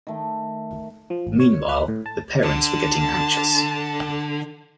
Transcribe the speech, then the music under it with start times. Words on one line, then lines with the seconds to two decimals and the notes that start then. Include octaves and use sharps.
Meanwhile the parents were getting anxious.
0.07 D#3 A3
1.10 F3
1.27 G#1
1.40 C#5
1.69 B4
1.88 A2
2.06 A5
2.43 D3 A5